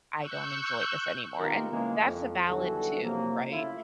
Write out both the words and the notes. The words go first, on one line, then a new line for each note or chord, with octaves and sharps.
I don't enjoy this anymore." And that's a valid too, right?
C#6 E6 F#6 G6
B2 D#3 F4 G4 A#4
C#3 E3 G#3 A#3
F2
B1 D3 E3 G3 F#4 A4
C3 F3 F#3 A#3
C#3 A3 E4 F4